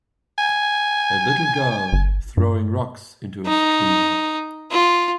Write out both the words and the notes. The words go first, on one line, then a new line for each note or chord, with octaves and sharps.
A little girl throwing rocks into a stream.
G#5
G1
G2
D#4
F4